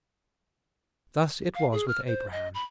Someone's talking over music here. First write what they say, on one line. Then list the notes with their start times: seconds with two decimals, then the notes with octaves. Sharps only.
Thus it was with Abraham.
1.55 F5
1.72 G#4
1.88 F6
2.07 C5
2.32 D#5
2.54 B5